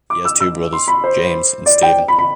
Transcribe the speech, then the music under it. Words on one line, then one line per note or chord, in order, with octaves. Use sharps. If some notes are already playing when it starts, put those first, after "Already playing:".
He has two brothers, James and Steven.
D6
E6
E6
C6
B5
C5
D5
G5
B5
B5